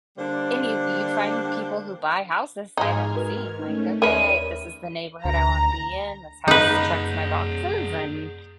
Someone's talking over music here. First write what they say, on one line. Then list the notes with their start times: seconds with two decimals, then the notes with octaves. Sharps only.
and you you find people who buy houses sight unseen, like, "Okay. This is the neighborhood I wanna be in. This house checks my boxes, and
0.18 D3 G3 A#3 D4 C5
2.77 G#2 G#3 D#4 F6 G#6
3.15 F#4 A#4 B4
3.59 A3 C#4 D#4
4.02 D#2 A#4 B4 C#5 D5 E5 D#7
5.25 D2 A#5
6.48 D#4 G#4 B4 F#5